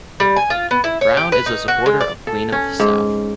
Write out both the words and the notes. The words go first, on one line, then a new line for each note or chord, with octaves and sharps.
Brown is a supporter of Queen of the South.
G3
G#5
F4
B3
E4
C#5
G4
B4
D#4
F#4
G#3
D5
A4
C#4
G#2